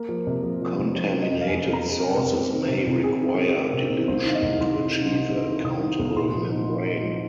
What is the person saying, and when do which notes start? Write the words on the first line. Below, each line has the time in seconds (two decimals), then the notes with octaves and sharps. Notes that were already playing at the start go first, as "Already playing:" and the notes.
Contaminated sources may require dilution to achieve a "countable" membrane.
Already playing: A#3 A#4
0.09 F3
0.27 C3
0.43 F3
0.62 F3
0.79 C3
0.95 F3 C5
1.14 F3
1.22 D#5
1.30 F2
1.41 F5
1.48 F2 G#5
1.66 C3
1.73 A#5
1.82 F2
1.88 G#4
1.99 C4 A#4
2.17 C3
2.35 C4
2.53 D#3
2.69 C3
2.87 C3
3.03 C4 G#4
3.22 C4
3.38 C4
3.44 G#4
3.56 C4 A#4
3.73 C3
3.91 C3
4.08 C2 C5
4.25 D#3 F5
4.34 D#5
4.42 C2
4.61 C2 C6
4.77 C3
4.95 D#3
5.12 C3
5.30 C3
5.47 D#3
5.64 C3 D#6
5.81 D#3
5.99 C2
6.16 A#2 C6
6.34 F3
6.51 D#4
6.68 F3
6.86 D#4
7.03 F3